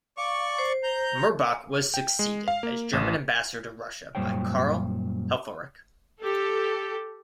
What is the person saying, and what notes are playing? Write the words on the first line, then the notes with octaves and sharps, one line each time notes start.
Mirbach was succeeded as German ambassador to Russia by Karl Helfferich.
D5 F5 C#6
C5
A#5 G6
G5
G#3
F5
A#3
A1
F#2 A#2 G3 C5 C#5 G5
G4 A4